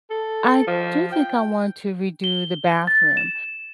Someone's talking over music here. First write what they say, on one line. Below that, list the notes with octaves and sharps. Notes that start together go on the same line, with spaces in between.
I do think I want to redo the bathroom,
A4
F3
G5
G7
A6
E7